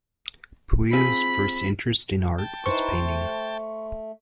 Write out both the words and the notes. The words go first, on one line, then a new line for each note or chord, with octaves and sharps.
Puiu's first interest in art was painting.
C4 F4 G#4 B5
G5 A5
D#4 E4 B4 C5 C#6
A3